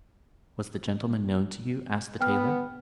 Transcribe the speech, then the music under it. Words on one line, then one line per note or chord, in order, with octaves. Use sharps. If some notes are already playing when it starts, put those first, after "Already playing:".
"Was the gentleman known to you?" asked the tailor.
B3 G5 F6